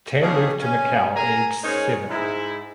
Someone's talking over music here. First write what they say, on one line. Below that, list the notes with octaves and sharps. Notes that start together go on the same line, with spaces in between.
Tam moved to Macau aged seven.
B2 D#3 A#3 C#4 G4 G#4
C#4 G#5
G#4 A#4 G#5 A#5
G#2 C#4 D#4 G#4 A#4 C#5
G#2 G#3 E4